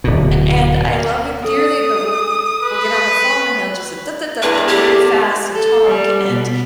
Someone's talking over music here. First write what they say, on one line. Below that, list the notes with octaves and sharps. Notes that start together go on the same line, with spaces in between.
and I love him dearly, but we'll we'll get on the phone, and he'll, just, "Da, da, da" go very fast and talk and
D1 B2
A4 D#6
B4
E2 A2 D4 B4
G4
A4
G3
B2